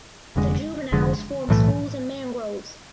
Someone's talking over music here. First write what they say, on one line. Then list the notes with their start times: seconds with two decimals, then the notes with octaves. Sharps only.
The juveniles form schools in mangroves.
0.36 F1 F2 D3 G#3
0.92 F1 F2 D3 G#3
1.49 B1 A2 E3 A3